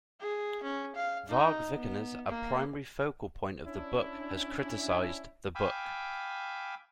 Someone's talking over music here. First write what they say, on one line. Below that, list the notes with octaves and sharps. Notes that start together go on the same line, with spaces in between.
Varg Vikernes, a primary focal point of the book, has criticized the book.
G#4
C#4
F5
D#4
B3
A#3
C#4 D4 E4
F5 G5 G#5 B5 D6 E6